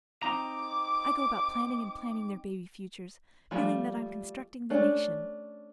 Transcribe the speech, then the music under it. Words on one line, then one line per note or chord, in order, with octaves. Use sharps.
I go about planning and planning their baby futures, feeling that I'm constructing the nation.
C4 D#4 A#5 D6
F3 G3 A3
A3 C#4 D4